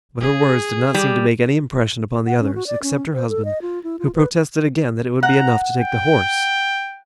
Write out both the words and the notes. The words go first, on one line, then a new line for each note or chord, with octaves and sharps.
But her words did not seem to make any impression upon the others, except her husband, who protested again that it would be enough to take the horse.
G#4
G3
F#5
C#4
F#4
D5
C#4
C5
A4
D#5
F4
E4
F4
B4
F#5 A#5
G5